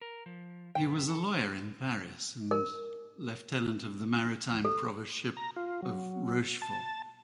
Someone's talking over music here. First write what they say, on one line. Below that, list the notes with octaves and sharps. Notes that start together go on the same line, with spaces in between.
He was a lawyer in Paris and lieutenant of the maritime provostship of Rochefort.
A#4
F3
F#2 B2 B3 G5
A4
A#4
A4
A#5
F4
F#3
A5